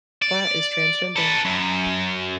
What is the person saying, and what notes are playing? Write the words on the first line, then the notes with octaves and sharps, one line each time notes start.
Platt is transgender.
D5
A4 B4
F#2